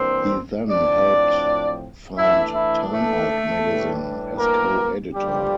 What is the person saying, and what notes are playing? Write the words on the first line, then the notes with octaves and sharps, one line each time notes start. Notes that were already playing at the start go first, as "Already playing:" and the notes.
He then helped found "Time Out" magazine, as co-editor.
Already playing: G2 E3 A#3 C4 D4 C5
A2 F3 C4 D4 D5
E3 A3 D4 E4 E5
E4 E5
A3 A4
A2 E3 G3 D4
A#3 A#4
G2 D3 F3 G3 A#3 G4